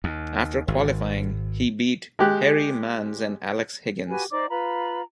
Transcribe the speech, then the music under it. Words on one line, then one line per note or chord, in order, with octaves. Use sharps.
After qualifying he beat Perrie Mans and Alex Higgins.
D#2
G#1
G#3 G4 F#6
F#4 G4 B4 G#5
D#4 C5 D5 D6
F4 B4 A#5 B5